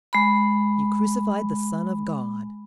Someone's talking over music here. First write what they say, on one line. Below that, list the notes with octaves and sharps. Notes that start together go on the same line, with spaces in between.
You crucified the Son of God.
G#3 B5